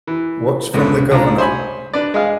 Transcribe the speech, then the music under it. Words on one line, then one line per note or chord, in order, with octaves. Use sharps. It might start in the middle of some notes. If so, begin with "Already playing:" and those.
What's from the Governor?
E3
C#2 G#2 A3 B3
C#2 D4 F4 A#5
C5 C#5 G#5 B5
D4 B4 D5
G#3 G#4 F5